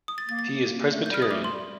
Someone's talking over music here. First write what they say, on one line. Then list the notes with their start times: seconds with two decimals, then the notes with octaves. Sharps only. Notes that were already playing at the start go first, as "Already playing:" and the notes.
He is Presbyterian.
0.08 D#6
0.18 A6
0.28 A#3 A6
0.39 A6
0.49 A#3
0.90 A3
1.06 G6
1.11 G3 F6
1.22 D#6
1.30 A3 D6
1.44 C6
1.51 G3